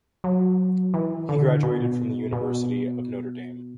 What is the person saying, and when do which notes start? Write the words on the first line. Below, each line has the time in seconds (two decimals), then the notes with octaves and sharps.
He graduated from the University of Notre Dame.
0.24 F#3
0.94 E3
1.29 D3
1.63 B2
2.33 B2